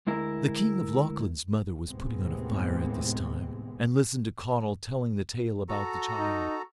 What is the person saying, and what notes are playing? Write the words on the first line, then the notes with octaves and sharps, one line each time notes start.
The king of Lochlann's mother was putting on a fire at this time, and listening to Conall telling the tale about the child.
D2 G#3 E4 A#4
D#2 A2 C3 G#3 B3 C4
F#4 A4 A#5
D#4